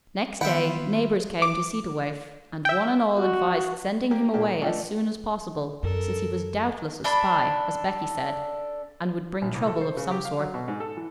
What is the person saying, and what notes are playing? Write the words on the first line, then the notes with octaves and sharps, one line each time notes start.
Next day, neighbors came to see the waif, and one and all advised sending him away as soon as possible, since he was doubtless a spy, as Becky said, and would bring trouble of some sort.
D#3 B3 F4 E5 F#5 G5 B5
D6
E5 G5
F#4
A#3 G4
A#2 A#3 G4 A5
A3 D4 F4 D#5 G5
F#2 A4 A#4
D4 A4 B5
A#1
C2
A4
C5
C#3
G4
F5
F#3
B2
G#2
A4
E3